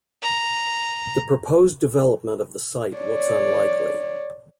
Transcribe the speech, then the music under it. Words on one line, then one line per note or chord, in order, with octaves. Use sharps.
The proposed development of the site looks unlikely.
A#5
C#5 D5